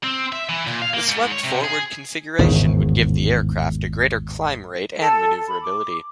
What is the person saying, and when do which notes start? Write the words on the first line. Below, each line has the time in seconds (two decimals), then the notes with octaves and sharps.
The swept-forward configuration would give the aircraft a greater climb rate and maneuverability.
0.04 C4
0.32 E5
0.49 E3
0.67 A#2
0.82 F5
0.94 A#3
1.09 G#2
1.32 C#5
1.44 C3
1.65 G#4
2.38 G#1 E2 A2 C#3
4.99 A4
5.48 B5
5.61 D6